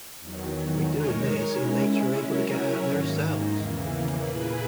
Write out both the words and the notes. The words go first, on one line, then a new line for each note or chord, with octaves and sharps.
By doing this inmates were able to get out of their cells.
E2 D#3 F#3
G#3 D#4 A#4 C#5
G#3 C#4 E4
F#3 C#4 E4 A#4 C#5
G#2 D#3 A#3
E2 C#3 E3 A#3
A#2 A#3 E4 G#4 B4